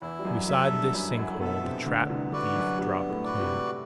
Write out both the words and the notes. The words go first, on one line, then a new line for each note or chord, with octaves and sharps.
Beside this sink hole the trap-thief dropped Kloon.
E2 E3 E4
G3
F#2 F#3
F#2 F#3 A4 E5
G2 G3
F#2 F#3 E4
F#2 F#3
A3
B2 B3 A4 E5
C3 C4
D2 D3 B3
D3
C2 C3
D2 D3 F#4 B4 D5
F#2 F#3
G2 G3 B3
A2 A3
F#4 B4 D5
C3 C4